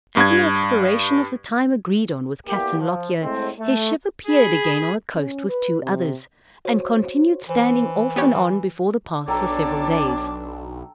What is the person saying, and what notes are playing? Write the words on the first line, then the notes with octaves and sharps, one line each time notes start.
At the expiration of the time agreed on with Captain Lockyer, his ship appeared again on the coast with two others, and continued standing off and on before the pass for several days.
G2 G#6
E2 A#3 G4
F3
A2 G#3 C4
A3
G#4 B5
C#4
B4
C3
F#4 C5 C#5
E3 C5
B3 G4 C#5
B1 D4 A4 C#5 D5 G5 A#5 D6